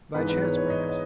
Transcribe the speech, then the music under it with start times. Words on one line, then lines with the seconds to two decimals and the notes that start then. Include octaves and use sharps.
'By chance, perhaps.
0.14 G#2 E3 B3 D#4 B4
0.29 B4
0.42 C#5
0.57 C#5
0.70 D#5
0.89 D#5